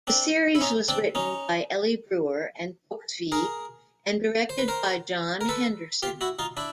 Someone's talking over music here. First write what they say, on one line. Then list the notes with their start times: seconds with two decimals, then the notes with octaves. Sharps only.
The series was written by Elly Brewer and Toksvig, and directed by John Henderson.
0.07 C4 D4
0.55 E4
0.61 C#4 D#4
0.88 C4 D4
1.15 C#4 D#4
3.32 G#4 A#4
4.49 C5
4.59 B4
4.68 A#4 C5
5.41 A#4
5.49 A4 B4
6.03 F4 G4
6.21 E4 F#4
6.39 D#4 F4
6.57 D4 E4